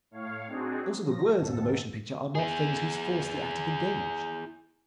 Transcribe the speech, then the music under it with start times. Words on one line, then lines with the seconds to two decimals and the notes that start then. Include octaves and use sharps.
Also the words in the motion picture are not things whose force the actor can gauge.
0.11 A2 C#5 F5
0.47 C4 D4 D#4 F#4 G#4
1.01 F3 F#3 A#6
1.35 D#2 G#2 A4
2.35 E4 G#4